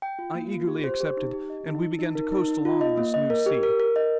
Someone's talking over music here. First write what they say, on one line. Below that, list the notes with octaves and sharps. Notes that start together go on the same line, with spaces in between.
I eagerly accepted, and we began to coast along this new sea.
G5
F4
A#3
F4
G4
C5
G4
D#4
G4
D#5
D#4
D#4
D#4
A#4
D#4
D#4
F4
D#5
A#3
D#5
A#4
G4
A#4
A#4
D#5